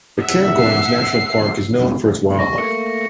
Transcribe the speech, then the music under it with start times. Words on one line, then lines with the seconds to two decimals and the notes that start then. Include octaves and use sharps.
The Cairngorms national park is known for its wildlife.
0.19 E5 F#5
0.59 C7
2.39 G3 C#6 A#6
2.58 A3 A#3 C#7